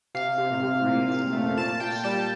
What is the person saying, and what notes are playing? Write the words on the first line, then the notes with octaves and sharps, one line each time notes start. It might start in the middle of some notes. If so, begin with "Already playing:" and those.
From "Breathe" liner notes.
C3 F5
C3
C3
A#2
A#2
A3
A#2 A5
A#2 G5
G3 A5